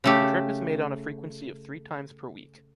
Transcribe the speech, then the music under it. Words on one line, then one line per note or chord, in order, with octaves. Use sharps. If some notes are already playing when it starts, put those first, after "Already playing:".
The trip is made on a frequency of three times per week.
C#3 A3 G4